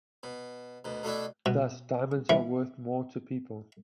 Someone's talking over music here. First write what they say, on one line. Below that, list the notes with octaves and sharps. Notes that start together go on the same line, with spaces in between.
Thus, diamonds are worth more to people.
B2
D2 B2
B2 A3 D4 E4
B2
E3